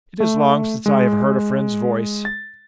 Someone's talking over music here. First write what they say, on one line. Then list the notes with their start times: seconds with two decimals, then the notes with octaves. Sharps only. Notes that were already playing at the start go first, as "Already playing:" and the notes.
'It is long since I have heard a friend's voice.
0.20 A3
0.86 G#3
2.25 A6